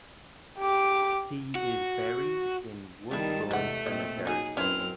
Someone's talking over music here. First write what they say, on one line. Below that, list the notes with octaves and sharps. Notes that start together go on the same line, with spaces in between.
He is buried in Woodlawn Cemetery.
G4 D6
F#4
D#3 G3 B3 E4 A5
E2 C3 G#3 A3 F#5
A#2 C4 D#5
F#3 D#4 G#4
F#2 C4 C#4 E4 B4 C5 F6